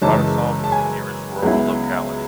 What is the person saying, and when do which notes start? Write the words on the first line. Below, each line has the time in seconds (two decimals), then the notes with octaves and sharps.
Tarasov is the nearest rural locality.
0.02 F#1 F#2 C#3 E3 G#3 A5
0.64 A5
0.72 G#5
1.42 C#2 C#3 F#3 B3 E4